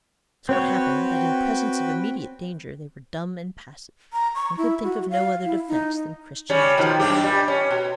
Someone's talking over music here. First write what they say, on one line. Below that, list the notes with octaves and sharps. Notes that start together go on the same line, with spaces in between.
So it happened that in presence of immediate danger they were dumb and passive, and could think of no other defence than Christian resignation.
C4 F#4 B4 C#5 G5
A#5
C#6
E4
F#4
F5
E4
D#4
G3 C#4
B2 D#3 F3
F#2 G4
G2 A#2 G3
C#4
B2